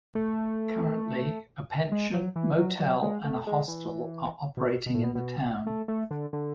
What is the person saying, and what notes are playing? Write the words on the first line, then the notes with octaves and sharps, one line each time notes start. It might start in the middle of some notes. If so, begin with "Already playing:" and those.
Currently, a pension, motel and a hostel are operating in the town.
A3
G#3
F#3
E3
F#3
F#3
G#3
A3
G#3
E3
B2
B2
A2
B2
B2
A3
A3
D3
D3